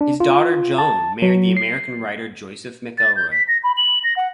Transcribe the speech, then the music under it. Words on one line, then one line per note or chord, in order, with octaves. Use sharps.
His daughter Joan married the American writer Joseph McElroy.
D4
F4
A5
F#3
C7
A6
G6
B6
A#6
B5
F#7
A#6
F#5